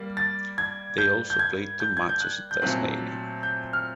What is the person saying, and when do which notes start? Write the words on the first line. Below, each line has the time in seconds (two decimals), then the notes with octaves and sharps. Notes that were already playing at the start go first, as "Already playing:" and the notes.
They also played two matches in Tasmania.
Already playing: G3 A#3
0.17 A6
0.58 G#6
0.98 G6
1.30 G6
1.39 G#6
1.80 G6
1.97 G#6
2.09 G6
2.20 F#6
2.51 G6
2.62 A#2 F#3 A3 C4 F#6
3.43 G6
3.73 F6